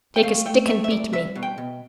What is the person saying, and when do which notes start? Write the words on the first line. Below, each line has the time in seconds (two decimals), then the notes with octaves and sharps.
Take a stick and beat me.
0.16 G5
0.23 A3 F5
0.46 A3 G5
0.67 A3 E5
0.84 E5
0.91 C2 D5
1.13 C2 E5
1.35 B2
1.43 G5
1.58 B2